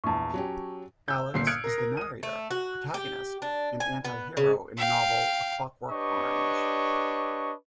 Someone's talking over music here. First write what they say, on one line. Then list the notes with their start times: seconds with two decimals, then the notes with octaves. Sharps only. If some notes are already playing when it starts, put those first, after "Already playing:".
Alex is the narrator, protagonist and antihero in the novel "A Clockwork Orange".
0.04 A#1 E2 A5 C#6
0.34 F#3 C#4 G4
1.08 E6 G6
1.34 G1 A#2 C7
1.47 D#6 F6 F#6 G#6 C#7 D7
1.64 A#4 A#6
1.78 A#4
1.97 D#6 D#7
2.23 A3
2.51 F#4
2.94 G4
3.42 D4
3.80 G#5
4.05 B3
4.37 C#3
4.77 F5 G5
5.90 D4 G4 B4 C#5 D#5 C#6